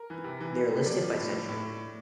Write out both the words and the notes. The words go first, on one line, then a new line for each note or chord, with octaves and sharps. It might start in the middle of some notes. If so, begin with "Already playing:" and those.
They are listed by century.
Already playing: A#4
E3
C3
E3
E3
C3
F3 D5
F3
A2
A2
A2